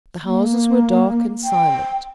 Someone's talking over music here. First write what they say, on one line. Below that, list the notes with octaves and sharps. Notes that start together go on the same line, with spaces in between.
The houses were dark and silent.
A#3
G5